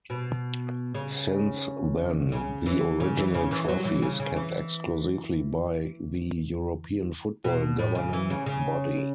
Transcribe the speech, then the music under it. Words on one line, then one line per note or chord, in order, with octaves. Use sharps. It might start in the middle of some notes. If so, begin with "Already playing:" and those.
Since then, the original trophy is kept exclusively by the European football governing body.
B2
C#3
C#3
E3
C#3
E3
C#3
E3
F#3
E3
C#3
C#3
E3
B2
A2
C#3
E3
C#3
C#3